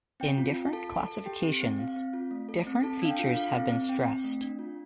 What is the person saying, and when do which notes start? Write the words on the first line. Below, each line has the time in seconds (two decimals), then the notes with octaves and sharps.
In different classifications, different features have been stressed.
0.20 C4 G5
0.38 F4
0.56 F4
0.73 A4 A5
0.90 A4
1.08 A4
1.26 G4 G5
1.43 C4
1.61 C4
1.78 C4 F5
1.96 C4
2.13 F4
2.31 A3
2.49 A4
2.67 C4
2.83 A4 A5
3.02 D4 F5
3.10 G5
3.19 F4
3.36 A4 F5
3.54 C4
3.72 C4
3.89 C4 G5
4.07 C4
4.24 A3
4.42 D4
4.59 F4